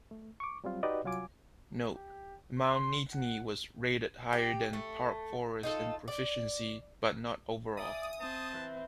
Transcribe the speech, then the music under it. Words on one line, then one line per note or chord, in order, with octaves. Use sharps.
Note: Mount Nittany was rated higher than Park Forest in proficiency but not overall.
A3
C#6 D6
F#3 G3 C4 F4
D#4 F#4 G4 B4 D5 D#5
C2 F#3 F4 G#5 D6
G4
C6
F#5
G4
A3
D#4 F4 A4
D5
D5 E5 F5 G#5 D#6
C4 A5
E3 B4 B5